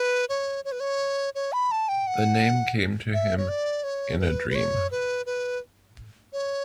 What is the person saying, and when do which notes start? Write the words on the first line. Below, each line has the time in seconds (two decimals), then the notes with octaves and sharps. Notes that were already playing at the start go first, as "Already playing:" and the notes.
The name came to him in a dream.
Already playing: B4
0.29 C#5
0.65 C#5
0.72 B4
0.80 C#5
1.35 C#5
1.53 B5
1.71 A5
1.88 G5
2.07 F#5
3.13 E5
3.37 C#5
3.48 D5
3.84 C#5
4.19 B4
4.50 B4
4.55 C#5
4.91 B4
5.26 B4
6.33 C#5